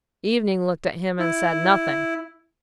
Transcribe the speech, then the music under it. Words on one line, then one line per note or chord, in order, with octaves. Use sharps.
Evening looked at him and said nothing.
E4